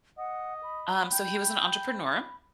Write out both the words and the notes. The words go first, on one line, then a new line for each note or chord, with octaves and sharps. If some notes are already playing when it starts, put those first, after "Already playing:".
Um, so he was an entrepreneur
D#5 F#5
B5
G5